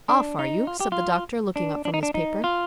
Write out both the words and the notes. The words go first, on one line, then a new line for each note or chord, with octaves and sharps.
"Off, are you?" said the doctor, looking up from his paper.
D4
D#4
F4
G4
F4
D4
D4
D#4
D4
D#4
F4